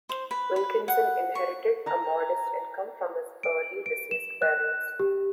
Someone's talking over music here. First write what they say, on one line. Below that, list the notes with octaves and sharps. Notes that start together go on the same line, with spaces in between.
Wilkinson inherited a modest income from his early-deceased parents.
C5
B4
B4
F#5
C#6
A5 A#5
D7
D7
E7
F#6
G4